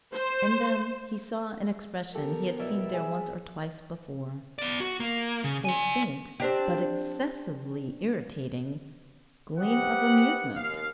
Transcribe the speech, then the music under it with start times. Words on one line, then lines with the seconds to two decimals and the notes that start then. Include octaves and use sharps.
In them he saw an expression he had seen there once or twice before, a faint but excessively irritating gleam of amusement.
0.14 C5
2.15 B3 G4 A4 A#4
2.59 B2 E4 D5 E5
2.93 G#4
4.59 B3 D5
4.80 F#4
5.00 A#3
5.44 C#3
5.65 D5 G#5
6.40 C4 D4 G4
9.59 C4 G4 B4 D#5 F#5
10.56 D#2 F5